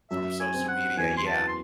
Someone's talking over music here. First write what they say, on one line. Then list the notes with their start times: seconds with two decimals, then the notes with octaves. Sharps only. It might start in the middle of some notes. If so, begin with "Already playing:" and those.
from social media, yeah,
0.11 F#2 E5
0.40 G#5
0.54 C4
0.68 F#5
0.97 E2 G#5
1.17 C6
1.27 A5
1.48 C6